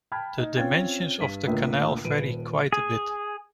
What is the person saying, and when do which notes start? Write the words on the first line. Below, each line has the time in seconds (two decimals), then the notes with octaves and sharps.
The dimensions of the canal vary quite a bit.
0.12 G5 A5 B5 F6 G#6
0.38 D#4
0.56 C4 C#4 F4 G5 G#6 A6
1.20 G2 B6 D#7
1.47 C#2 A2 D3 A#3
2.04 D#1 B4 D7 D#7
2.73 G#4